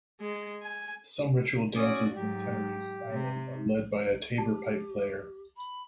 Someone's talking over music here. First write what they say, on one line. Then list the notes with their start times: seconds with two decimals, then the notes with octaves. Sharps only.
Some ritual dances in Tenerife island are led by a tabor pipe player.
0.21 G#3
0.63 G#5
1.76 C#4 F#4 D5 D6 D#6
2.15 G#2 F#3 G4
3.11 C3
4.38 G4 A5
5.56 B5